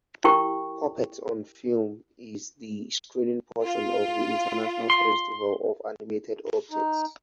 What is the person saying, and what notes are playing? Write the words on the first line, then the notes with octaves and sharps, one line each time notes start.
Puppets on Film is the screening portion of the International Festival of Animated Objects.
E4 G4 A#4 G5 C#6
F4
C6
D#4